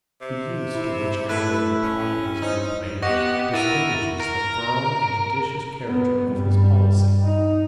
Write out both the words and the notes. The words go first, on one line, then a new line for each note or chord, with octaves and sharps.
The use to which Alaric applied his new command, distinguishes the firm and judicious character of his policy.
C3
E4
A3 E4 B4
C#4
D#4 C5
B3 G4 D#5 F#5 C#6 A#6 C#7
E4 A#4 F#5 A6 D#7
A#4
B3
G2 G3
D#4